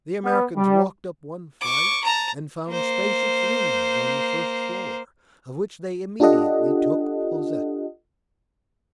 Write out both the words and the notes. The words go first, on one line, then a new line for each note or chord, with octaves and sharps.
The Americans walked up one flight and found spacious rooms on the first floor, of which they immediately took possession.
B3
G3
C#6 D6
A5 A#5
A#3 C5
D4 F4 G4 A4 D#5 F#5